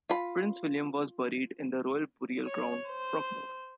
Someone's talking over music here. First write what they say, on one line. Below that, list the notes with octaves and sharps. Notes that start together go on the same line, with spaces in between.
Prince William was buried in the Royal Burial Ground, Frogmore.
F4 B5
C#5
C5